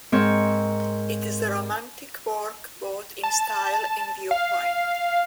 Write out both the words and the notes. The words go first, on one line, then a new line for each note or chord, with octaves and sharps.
It is a romantic work, both in style and viewpoint.
G#2 C4 A#4 C#5
A5
F5